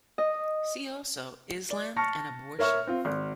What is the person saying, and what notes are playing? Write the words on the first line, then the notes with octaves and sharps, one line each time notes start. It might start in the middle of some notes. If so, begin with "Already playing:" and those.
See also: Islam and abortion.
D#5
D5
A5 C#6 F6 A#6 C#7
A#4 C#5 E5 C#6 F6
C4 F4
G#1